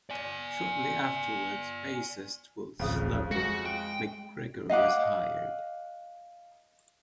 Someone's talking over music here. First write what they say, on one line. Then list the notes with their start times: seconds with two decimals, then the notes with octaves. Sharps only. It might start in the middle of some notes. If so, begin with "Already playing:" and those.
Shortly afterwards, bassist Will "Sluggo" MacGregor was hired.
0.10 D5 G#5
2.80 D1 A1 F2 C#3 D#6
3.31 G#3 F#4
3.65 G5
4.69 D#5 F5 F#5 D6